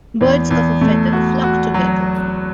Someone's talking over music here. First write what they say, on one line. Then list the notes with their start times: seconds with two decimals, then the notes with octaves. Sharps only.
Birds of a feather flock together.
0.21 E2
0.51 E2
0.81 A3
1.13 F#4
1.44 F#4
1.74 F#3